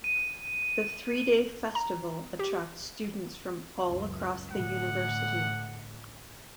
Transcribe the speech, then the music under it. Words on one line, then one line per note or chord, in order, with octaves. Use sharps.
The three-day festival attracts students from all across the university.
D#7
A#5
G4
C#2 F#2
A2 D3 F#5